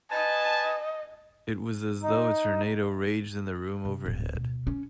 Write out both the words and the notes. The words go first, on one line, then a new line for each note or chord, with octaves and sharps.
It was as though a tornado raged in the room overhead.
B4 D#5 G#5 A5
D#4
C3
D1
B2
C#4